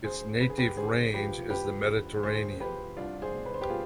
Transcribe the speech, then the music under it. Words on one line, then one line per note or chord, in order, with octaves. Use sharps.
Its native range is the Mediterranean.
D2 G#4 C5
D3 B4
G#4
G4 B4
D2 G#4 C5
F3 G4 B4
D2 G4 B4
D3
D2 G#4 C5
F3 G4 B4
C2 D4 F4
G#4 C5
B2
B4
C5
G4 B4
B2 F4 G#4